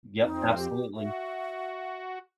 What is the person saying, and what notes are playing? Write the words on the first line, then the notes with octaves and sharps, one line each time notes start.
Yup, absolutely.
F2 C4 D#4
G4
F#4 E5